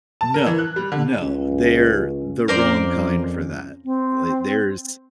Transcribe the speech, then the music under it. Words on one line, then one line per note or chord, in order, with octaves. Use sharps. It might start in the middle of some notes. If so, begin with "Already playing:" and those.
No. N no. They're the wrong kind for that. Li there's
A5
A#4
E3
F#6
G3
D3
C#2 C#4
F2 A#4 C5 D5
C4